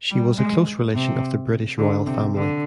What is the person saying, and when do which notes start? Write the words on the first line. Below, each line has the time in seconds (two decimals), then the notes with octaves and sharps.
She was a close relation of the British Royal Family.
0.11 G3
0.38 G#3
0.94 C3
1.78 D3
2.06 C3
2.35 D3